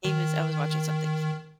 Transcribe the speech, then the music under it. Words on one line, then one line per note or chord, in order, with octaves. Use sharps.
he was I was watching something,
D#3